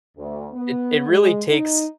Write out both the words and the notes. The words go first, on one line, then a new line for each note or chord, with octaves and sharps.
it it really takes
D2
B3
G#3
D#4